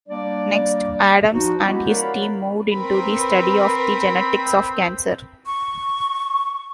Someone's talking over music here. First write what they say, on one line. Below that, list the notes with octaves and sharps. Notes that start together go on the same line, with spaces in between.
Next, Adams and his team moved into the study of the genetics of cancer.
G3 A#3 D4 D5
F3 D#4 F#4
G#3 B3 C#4 E4 F#4 G4
A#4 C#5 D5 F5 F#5 B5
C4 A#4 B4 B5
C#6